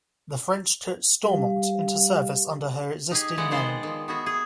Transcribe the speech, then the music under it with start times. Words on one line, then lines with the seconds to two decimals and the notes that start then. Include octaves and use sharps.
The French took "Stormont" into service under her existing name.
1.23 G3 G4 F5
3.11 D#4 G4 G#4
3.37 C#3 E3 G#3 D5 F#5 A#5
3.51 D#3 B3 C5 D5
3.83 D#3 F3
4.08 B3 F#4 G#4 E5
4.26 G#4